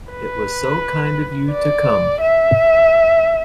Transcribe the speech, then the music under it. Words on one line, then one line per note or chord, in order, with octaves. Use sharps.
It was so kind of you to come!
B4
D5
E5